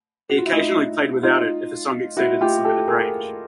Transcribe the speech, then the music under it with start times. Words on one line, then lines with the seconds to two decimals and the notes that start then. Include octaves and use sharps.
He occasionally played without it, if a song exceeded its limited range.
0.30 F#4
0.38 F4
0.46 E4
0.52 D#4 F4
1.23 D#4 F4
2.17 E4 F#4
2.41 F4 G4
2.65 G4 A4
2.88 G#4 A#4